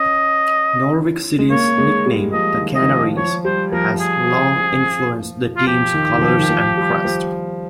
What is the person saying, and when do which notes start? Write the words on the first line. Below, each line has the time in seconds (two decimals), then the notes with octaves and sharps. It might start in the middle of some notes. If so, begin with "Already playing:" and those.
Norwich City's nickname, "The Canaries", has long influenced the team's colours and crest.
Already playing: C#4 D#5
1.39 G#3
1.50 A#3 C#5
1.78 G#3
2.06 G3
2.33 F3 D#5
2.61 D#3
2.75 D#5
2.82 D#3
2.89 F3
3.17 F3 C#5
3.45 G3 C5
3.72 F3 A#4
3.99 G#4
5.57 F4
5.67 F3 G4
5.94 D#3
6.17 D#3
6.22 F3
6.39 D#3
6.50 F3
6.77 G3
7.05 F3